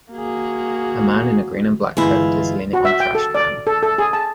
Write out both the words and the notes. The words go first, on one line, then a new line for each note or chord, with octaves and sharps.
A man in a green and black coat is leaning on trashcan.
A#3 F#4 G#4
G1 E3 G#3 E4 F4
F#4
E5
G5
A4
D5
A4
A4
G#4
A5